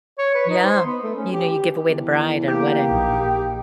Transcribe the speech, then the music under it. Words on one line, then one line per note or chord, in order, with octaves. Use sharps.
Yeah. You know, you give away the bride at a wedding.
C#5
B4
D#4
C5
B3
A3
C#4
G4
G4
E2
A#3 G4
A#1 D#4